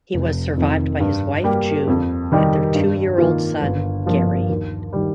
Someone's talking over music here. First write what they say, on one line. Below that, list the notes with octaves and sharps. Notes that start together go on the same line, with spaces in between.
He was survived by his wife, June, and their two-year-old son, Gary.
F1
F2 D#3
G2
G3 A#3 G4
F2
D#3 G3 D#4 G4
G2
D#3 A#3 F4
G1
G2 F3 A#3
D#2
D#3 G3